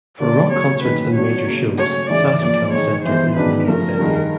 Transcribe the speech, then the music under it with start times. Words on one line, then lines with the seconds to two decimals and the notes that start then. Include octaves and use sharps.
For rock concerts and major shows, SaskTel Centre is the main venue.
0.20 D3 G3 A#3 C#4 D5
0.51 C#3 F#3 A#3 C#4 C#5
0.83 G#2 D#3 F#3 A#3 C#4 B4
1.15 F#3 B3 D4 F#4 C#5
1.46 C#3 F#3 A#3
1.78 C#3 F#3 A3 C#4 C#5
2.09 G#2 E3 G#3 C#4 D5
2.41 A#2 F3 A#3 D5
2.72 G#2 D#3 G#3 C#5
3.04 G2 E3 G#3 B3 E4 C5
3.36 F#2 D#3 G#3 B3 D4 B4
3.67 C#3 F3 A3 A#4
3.99 G2 D#3 G#3